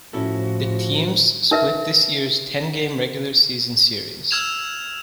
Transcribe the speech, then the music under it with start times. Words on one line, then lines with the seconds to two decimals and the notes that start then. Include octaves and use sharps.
The teams split this year's ten-game regular season series.
0.13 A2 F3 C#4 E4 F#4 A4
1.51 D#4 A#4 B4 E5
4.31 E6 F6 G#6 E7 F7